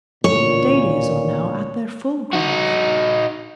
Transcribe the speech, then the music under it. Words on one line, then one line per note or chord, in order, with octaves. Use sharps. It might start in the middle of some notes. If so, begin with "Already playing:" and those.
Dahlias are now at their full growth.
A1 D2 A#2 C#5
D#4 F#4